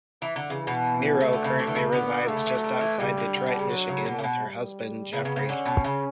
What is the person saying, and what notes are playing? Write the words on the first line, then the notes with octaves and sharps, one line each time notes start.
Miro currently resides just outside Detroit, Michigan with her husband, Jeffrey.
E3
D3
C#3 E3
B2
C#3 A3
D3
C#3
E3
D3
C#3
D3 B3
C#3 A3
D3
E3
F#3
G3
E3
C#3 G3
D3
D3
B2
C#3
D3 F#3
C#3
B2
C#3
B2
G3
C#3 B3
C#3
C#3
D3 C#4
B2
C#3